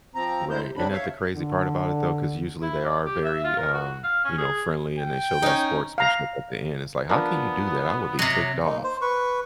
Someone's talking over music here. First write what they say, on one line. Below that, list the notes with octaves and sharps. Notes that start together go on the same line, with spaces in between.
Right, ain't that the crazy part about it, though? 'Cause usually they are very, um, you know, friendly, and they show that sportsmanship at the end, it's like, "How can you do that?" I would be ticked off.
F3 C4 A#5
E2 G#3 E4 C5 G6
C3
F2 C#3 F#3 C4 D4 B5
C#5 E5 F5
D3
E4
D5
G4
E5
F4
A#4
F#4
F5
C#4
G#4
G5
C#4 D#4
F5 A#5
F3 B3 D4 A#4
C3 F#3 D#5
A#3 D#4
C5
B4 C#6